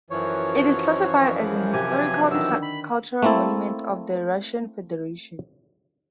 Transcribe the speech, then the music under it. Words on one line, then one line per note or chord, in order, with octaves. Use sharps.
It is classified as an historical cultural monument of the Russian Federation.
F#2 E3 F3 C#5
C3 G4 G#5
D3 D#3 E6
B5
A3 A#3 C4 E4 A4